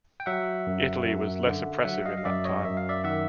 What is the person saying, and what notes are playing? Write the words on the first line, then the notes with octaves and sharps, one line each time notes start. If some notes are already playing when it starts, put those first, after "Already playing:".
Italy was less oppressive in that time.
G5
F#3 E5 F#5
F#2
F#2
D3
F#3 E5 F#5
D#5 F5
F5
F#2 D5 E5
C#5 D#5
F#2 E5
F5
D5 E5
D#3 E5 F#5